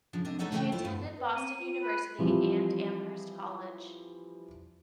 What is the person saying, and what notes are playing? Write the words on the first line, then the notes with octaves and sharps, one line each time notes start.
She attended Boston University and Amherst College.
C#3 F3 D4
C3 D4 D#5
G#3 A3 D#4 A4 C#5 F#5
C#3 E3 A3 D#4 F#4 G5
E4 F4
G2 A3
B4
C4 D#7
F4
B4
E3 F3 G3 C4